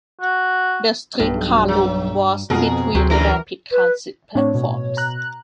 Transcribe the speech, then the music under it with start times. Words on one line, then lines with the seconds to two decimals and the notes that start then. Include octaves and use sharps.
The streetcar loop was between the rapid transit platforms.
0.21 F#4
1.19 B1 G2
1.68 F#3
2.50 F2 B2 F#4 G#4 A#4
2.95 D2 C3 F#3 C4
3.10 F#2 D3 E3 F#3 A#4 A#5
3.72 B4
4.35 A2 A3 C4 D4 C#5
4.54 B2
4.97 A#5 F#6